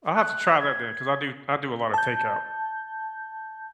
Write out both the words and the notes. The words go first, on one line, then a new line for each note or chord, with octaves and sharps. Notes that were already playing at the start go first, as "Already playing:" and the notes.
I'll have to try that then 'cause I do I do a lotta takeout.
F#6
G#6
A5 G6